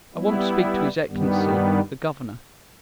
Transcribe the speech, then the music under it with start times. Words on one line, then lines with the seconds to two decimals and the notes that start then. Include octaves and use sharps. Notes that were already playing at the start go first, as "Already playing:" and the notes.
"I want to speak to his Excellency, the governor."
0.14 G3 B3 E4
1.07 G2 D#3 G3 B3